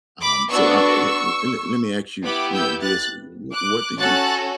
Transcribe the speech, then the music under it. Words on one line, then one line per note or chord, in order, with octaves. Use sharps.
Um, so I I want the a le let me ask you, you know, this, w w what do you
B5 D6
B3 D4 F#4 C#6 E6
B3 E4 G4 B5 D6
E6 G6
F#6 A6
D6 F#6
C#4 F#4 A4 F#6 A6